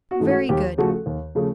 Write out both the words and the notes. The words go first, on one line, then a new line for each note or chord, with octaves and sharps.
Very good.
F#4
G#2 E3 A3
F#4
D#2 G4
C#3 F3 A3 F#4
D#2
C#3 F3 A3